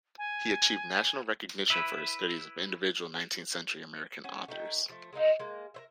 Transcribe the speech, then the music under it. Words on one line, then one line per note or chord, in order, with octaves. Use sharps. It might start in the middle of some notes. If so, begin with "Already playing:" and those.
He achieved national recognition for his studies of individual nineteenth-century American authors.
G#5
E4 B4 E5
C#4 F#5 G#5
A3 D#4 G5
F3 A3
G#3 A#3 D#4 F4
G#3 A#3
A#4 C5 E5